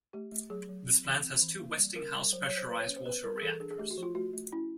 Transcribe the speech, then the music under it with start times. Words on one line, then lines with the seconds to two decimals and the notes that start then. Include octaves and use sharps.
This plant has two Westinghouse pressurized water reactors.
0.13 A3 G4
0.32 A3
0.50 F#3 G#4
0.69 F#3
0.87 C4
1.05 E3
1.23 C4
1.42 E3
1.59 A#3
1.78 G3
1.96 C#4 A#4
2.15 G3
2.33 F#3 C5
2.44 C#5
2.52 F#3
2.57 C5
2.69 A#3 B4
2.78 C#5
2.88 C#4
2.96 C5
3.06 B3 B4
3.24 G3 A#4
3.37 G#4
3.42 E3 A4
3.60 D4 G#4
3.71 G#4
3.78 A3 G4
3.91 F#4
3.98 F3
4.03 F4
4.15 A3 F#4
4.33 A3
4.52 C#4 E4